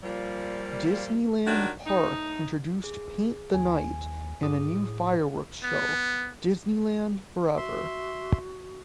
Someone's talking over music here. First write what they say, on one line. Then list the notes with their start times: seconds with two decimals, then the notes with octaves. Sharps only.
Disneyland Park introduced Paint The Night and a new fireworks show, "Disneyland Forever".
0.03 A#2 F3 G3
1.46 D#3 F#3 G3 D4
1.85 A2 D#4
2.84 G#4
3.54 D#2 G#5
4.42 G2 G#4 D#6
4.73 A2
5.63 B3
7.57 F#4 E5 C6